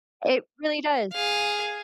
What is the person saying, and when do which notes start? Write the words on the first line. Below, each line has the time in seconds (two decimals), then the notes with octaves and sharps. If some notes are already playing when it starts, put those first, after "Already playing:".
It really does.
1.12 G#4 F5